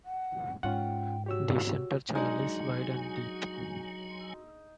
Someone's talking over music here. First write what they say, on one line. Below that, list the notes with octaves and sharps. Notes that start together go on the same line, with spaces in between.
The center channel is wide and deep.
F#5
G#2 C#4 F4 F#5 G5
F#4 G4 C#5 E6
F#3 G#3 D4 D#4 F#4 G#5